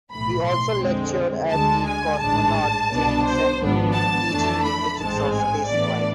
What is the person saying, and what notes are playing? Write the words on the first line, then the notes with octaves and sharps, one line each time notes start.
He also lectured at the Cosmonaut Training Centre, teaching the physics of spaceflight.
B1 A2 E3 B5
C6
F2 D3 G#3 C4
D2 D3 G#3 A5
G#5
A1 G#2 G#3 D4 A5
C2 B2 B3 D4
C5
G#1 G#2 F3 B3 D4
A5
F2 E3 A3 D4
B5
A1 G#2 G#3 C4 A5
G#5
A2 E3 B3 D4 D5